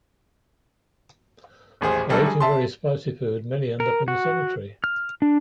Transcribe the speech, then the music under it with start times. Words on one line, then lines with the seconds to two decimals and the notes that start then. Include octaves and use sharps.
By eating very spicy food, many end up in the cemetery.
1.81 D#1 A1 G#4 C5
2.09 F#3 G3 A3 D4 A4
2.26 G#4
2.40 E5 A5 C6
3.80 A#4
4.08 F#4
4.84 F6
5.22 D4